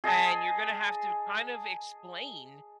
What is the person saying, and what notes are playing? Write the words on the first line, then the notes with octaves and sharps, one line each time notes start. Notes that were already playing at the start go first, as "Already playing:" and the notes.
and you're gonna have to kind of explain
G#4 D#5 G#5 A5